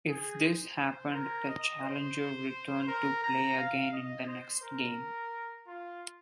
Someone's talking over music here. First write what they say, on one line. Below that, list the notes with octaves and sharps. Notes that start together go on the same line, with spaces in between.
If this happened, the challenger returned to play again in the next game.
G#4
C5
A#4
D#5
C5
A#4
A#5
F5
D#5
C5
A#4
F4